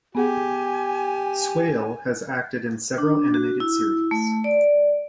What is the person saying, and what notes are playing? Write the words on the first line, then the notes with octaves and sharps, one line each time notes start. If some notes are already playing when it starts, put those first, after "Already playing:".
Swaile has acted in several animated series.
B3 G4 G#4 F#5 G#5
D4
F#4
E4
A3
D5